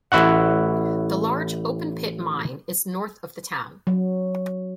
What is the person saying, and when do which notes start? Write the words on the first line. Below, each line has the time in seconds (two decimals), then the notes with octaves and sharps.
The large open-pit mine is north of the town.
0.12 A1 E4 F#4 F#5
3.87 F#3